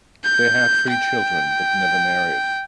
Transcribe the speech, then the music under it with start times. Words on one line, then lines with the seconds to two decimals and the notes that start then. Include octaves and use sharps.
They had three children, but never married.
0.24 G6
0.90 G5